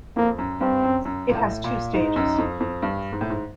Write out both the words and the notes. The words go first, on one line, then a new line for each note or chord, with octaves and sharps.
It has two stages.
F2 A#3
F#2
G2 C4
F#2
F#2
A#2
A2
A#2
G#2 D#4
F#2
F2
F2
G2
G#2
A2
G#2